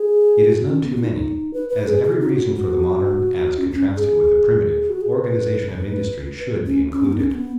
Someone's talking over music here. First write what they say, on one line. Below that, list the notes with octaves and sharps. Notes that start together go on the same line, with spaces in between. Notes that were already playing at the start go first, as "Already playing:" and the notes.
It is none too many, as every reason for the modern, as contrasted with the primitive, organization of industry should be included.
Already playing: G#4
F#4
C#4
B3
F#4
D#4
B4
B4
G#4
G#4
F#4
D#4
F#4
F#4
C#4
C#4
G#4
F#4
G#4
B4
C#4
C#4
B3
D#4
C#4
C#4
B3